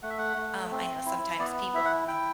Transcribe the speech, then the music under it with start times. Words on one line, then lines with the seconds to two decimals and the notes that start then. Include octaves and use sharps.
um, I know sometimes people,
0.03 A3 F#5
0.10 E5
0.18 F#5
0.37 A3
0.71 C4
1.06 E4
1.39 B3 D5
1.74 E4 E5
1.85 F#5
2.08 E4 G5